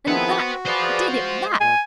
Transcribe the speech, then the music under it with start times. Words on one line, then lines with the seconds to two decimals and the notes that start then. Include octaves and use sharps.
And THAT did it--that!
0.08 D#3 F3 B3 C4 E4 G#4 B4 F#5
0.40 C4 F#4
0.66 G#4 B4 C5 D5 F5
1.22 G#3
1.61 A#2 G#5